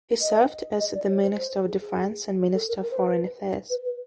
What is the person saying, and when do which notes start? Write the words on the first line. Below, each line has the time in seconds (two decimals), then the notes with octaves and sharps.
He served as the Minister of Defence and Minister of Foreign Affairs.
0.21 D#5
0.79 D#5
0.94 D5
1.08 C#5
1.23 C5
1.38 C5
1.67 G#4
1.80 G#4
2.54 A4
2.68 A#4
2.82 A#4
2.91 C5
2.97 B4
3.69 B4
3.84 B4